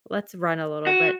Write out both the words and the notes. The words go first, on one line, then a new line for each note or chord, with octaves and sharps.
"Let's run a little bit
F#4